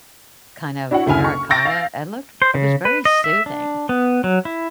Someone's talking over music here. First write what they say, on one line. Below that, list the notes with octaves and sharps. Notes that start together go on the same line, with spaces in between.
kind of terracotta, it looked it was very soothing.
D4 E4 F#4 C#5 F#5
F#1 D2 C#3 E4 G#5 F6
C#6
C#6 E6 G6 A6 A#6 D7
F5
C5
C#3
B4
D#5
E5
D4
B3
F#3
E4